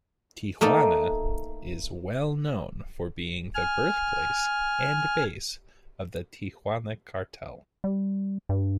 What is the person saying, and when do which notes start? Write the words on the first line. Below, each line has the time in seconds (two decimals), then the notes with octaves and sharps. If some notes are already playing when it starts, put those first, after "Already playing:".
Tijuana is well known for being the birthplace and base of the Tijuana Cartel.
0.61 A3 A#3 D#4 A4
3.55 G#5 F6
7.84 G3
8.49 G2